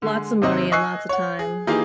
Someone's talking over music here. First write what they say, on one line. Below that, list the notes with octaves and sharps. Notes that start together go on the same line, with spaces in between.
lots of money and lots of time.
D3 G#3
D#2 C3 C4 D#5
D#5 G#5 C#6 E6 F#6 C7
C#5 F#5
G#4
E3 A#3 D#4 F4 G4 G#4